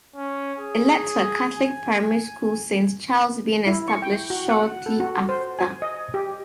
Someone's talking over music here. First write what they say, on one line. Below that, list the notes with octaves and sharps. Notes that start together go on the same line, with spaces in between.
It led to a Catholic primary school Saint Charles being established shortly after.
C#4
G#4
G#5
E4
C#6
G5
F#4
F#5
A4
F#4
C5
G#5
D#5
G4